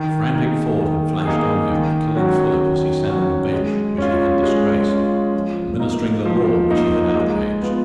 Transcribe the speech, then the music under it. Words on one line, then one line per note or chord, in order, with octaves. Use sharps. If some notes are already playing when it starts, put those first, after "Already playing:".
A frantic thought had flashed on him of killing Philip as he sat on the bench which he had disgraced, administering the law which he had outraged.
Already playing: D#3
A#3 D#4 G#4
D#3
A#3 D#4 G#4
D#3
F#3 C#4 F#4
D#3
F#3 C#4 F#4
G#3
C#4 F4
G#3
C#4 F4
F3
A#3 D#4
F3
A#3 D#4
G#3
B3 F4